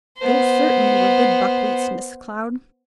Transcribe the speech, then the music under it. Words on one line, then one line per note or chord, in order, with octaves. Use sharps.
Those certainly were good buckwheats, Miss Cloud.
B3 C5